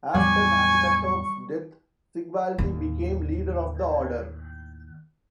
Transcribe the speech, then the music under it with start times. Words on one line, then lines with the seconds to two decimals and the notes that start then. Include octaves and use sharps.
After Palnatoke's death, Sigvaldi became leader of the order.
0.14 E2 A2 G3 G#5 C#6
2.58 D#2 A2